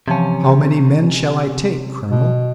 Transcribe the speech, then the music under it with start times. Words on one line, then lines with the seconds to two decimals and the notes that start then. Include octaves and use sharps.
"How many men shall I take, colonel?"
0.08 C3 E3 F3 C#4 A5
2.11 B2